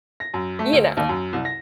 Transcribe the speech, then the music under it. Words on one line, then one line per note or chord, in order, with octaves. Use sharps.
you know,
A#6
F#2
A3
D2
D#2
F#2
C2
A#6